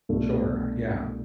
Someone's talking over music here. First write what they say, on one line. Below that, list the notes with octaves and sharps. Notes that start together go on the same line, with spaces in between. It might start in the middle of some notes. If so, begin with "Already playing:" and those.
Sure. Yeah.
C2 B2 A3 D4